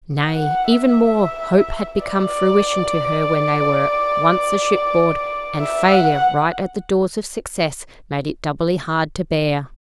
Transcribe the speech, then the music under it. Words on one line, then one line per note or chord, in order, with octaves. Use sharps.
Nay, even more; hope had become fruition to her when they were once a-shipboard, and failure right at the door of success made it doubly hard to bear.
F#5
E5
D5
E5
F#5